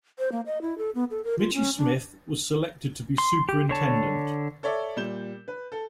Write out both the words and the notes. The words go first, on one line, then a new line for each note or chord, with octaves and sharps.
Michie Smith was selected to be superintendent.
C5
A#3
D#5
E4
A4
B3
A4
A#4
F4
C#4
D4
C6
G4
D3 C#5 A5
A4 C#5 D5 E5
A#2 G3 G6 E7 G7
B4
A4